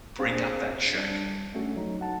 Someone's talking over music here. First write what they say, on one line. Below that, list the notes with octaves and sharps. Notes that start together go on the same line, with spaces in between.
bring out that check,
C4 D4 G#4 C5 F5
G3 D4
A3 C#4 F#4 A4
F#3 D#4
F#5 A5